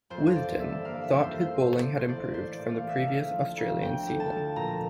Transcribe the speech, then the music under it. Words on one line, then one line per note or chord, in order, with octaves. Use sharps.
"Wisden" thought his bowling had improved from the previous Australian season.
F2 C5
E3 D5
G1 E5
A#3 F5
E5
F2
C5
E3
C5
A2
E3 D5
C5
A1 D5
A#3 C5
D5
A2
F5
E3
E5
D3 F5
F3
D2
C4 G5
D3
A5
F3
A#2 A#5